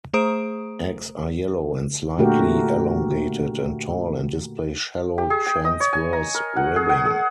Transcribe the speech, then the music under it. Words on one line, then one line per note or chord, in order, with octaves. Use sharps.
Eggs are yellow and slightly elongated and tall and display shallow transverse ribbing.
A3 G#4 C5 A#5 D#6 D7
A#2 D3 A3 F#4 G4 A#4
G4
G#4
G5
D#5
C#5
G#5
A#5
A#4
F#5
G#4
F#5
G#4